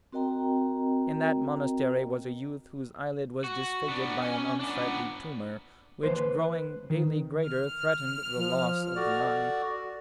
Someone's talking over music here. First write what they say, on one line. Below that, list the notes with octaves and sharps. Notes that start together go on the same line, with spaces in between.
In that monastery was a youth whose eyelid was disfigured by an unsightly tumour, which growing daily greater, threatened the loss of the eye.
C4 F#4 A#4 D#5 G5 A#5
F#4
B3 D4
C#4 G#5
B3 D4
D#2 C#3 E3 B4 C5
B4
D#3
F6
F3
F#4 A4 D5